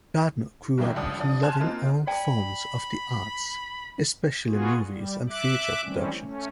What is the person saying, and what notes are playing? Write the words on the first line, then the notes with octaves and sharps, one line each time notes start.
Gardner grew up loving all forms of the arts, especially movies and theatre productions.
B1 G2 C3 D#3 E3
G1 C#2 D4 D#6
G1 F3 D5 D#6
G#5 A5 C6 F6 F#6 G#6
A#3 C4 D#4 F4
D5 G5 A5 B5
B3 F4 F#4 G#4
G3
E5 D6 F#6
D#3 E3 G3 A3 C4 C#4
A3 C#4